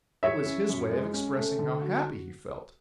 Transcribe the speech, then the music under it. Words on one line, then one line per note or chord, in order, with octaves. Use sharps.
It was his way of expressing how happy he felt.
E3 C#5 E5
C#3
F#2
G#3
C#4
A3
D3
F#4